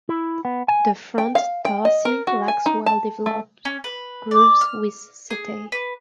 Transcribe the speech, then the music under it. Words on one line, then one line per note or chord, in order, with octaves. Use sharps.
The front tarsi lacks well developed grooves with setae.
E4
B3
G#5
G5
F5
G5
D#5
A#4
F#4
G#5
D#4
A5
A3
C#4
B4
D5
F6
G#4
B4